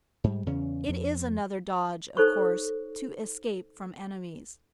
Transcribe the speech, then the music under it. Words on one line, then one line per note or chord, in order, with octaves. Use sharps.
It is another dodge, of course, to escape from enemies.
G#2 G3
E2 C#3 C#4
F2
D#4 A4 C5 C#5 C#6